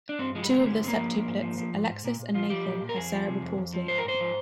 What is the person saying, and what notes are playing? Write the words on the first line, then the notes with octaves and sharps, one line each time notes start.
Two of the septuplets, Alexis and Nathan, have cerebral palsy.
D4
G2 C4
F3 G#3
G3
D3 G#3
A#3
G2 G#3
G2 C4
A#3
F3
G#2
G#2
F3
F3
G#2
G#2
A#2 A#3
A#2
F3 F4
F3 G4
A#2
A#2
A#4
F2 G#4
F3
C3
F2
F2
F3
G#2 C5
A#4
G#2 C5
F3